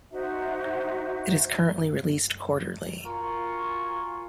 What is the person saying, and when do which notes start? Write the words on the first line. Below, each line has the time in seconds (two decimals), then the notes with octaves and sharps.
It is currently released quarterly.
0.11 D#4 F#4 C5 E5
3.06 F4 F#4 A#4 G#5 C#6